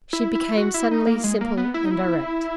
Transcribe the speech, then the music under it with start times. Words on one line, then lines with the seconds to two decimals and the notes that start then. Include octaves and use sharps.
She became suddenly simple and direct.
0.13 E4
0.35 E4
0.57 F#4
0.74 E4
0.91 D#4
1.07 A#3
1.24 G#3
1.41 A#3
1.57 B3
1.74 E4
1.85 D#4
1.91 E4